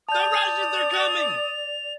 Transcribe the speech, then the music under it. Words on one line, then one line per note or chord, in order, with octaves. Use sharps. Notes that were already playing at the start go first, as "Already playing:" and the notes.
The Russians Are Coming!
D5 A5 D#6 G6 F7